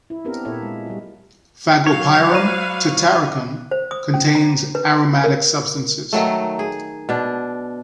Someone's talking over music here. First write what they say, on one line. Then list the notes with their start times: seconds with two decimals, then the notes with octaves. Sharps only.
"Fagopyrum tataricum" contains aromatic substances.
0.10 E4
0.25 B3 C4 D4 G4 A#4
0.45 A#2 A#3 E4 A4 C#5 E5
0.63 G#3
0.87 G3 F#4
1.87 F#3 C#5 F5
2.31 C5 D5 B5 F#6 D#7
3.71 C5
3.91 D#6
4.14 C#4
4.35 A#5
4.75 B4
5.24 A#4
6.13 D#3 F#3 A3
6.59 G#4
7.09 B2 D4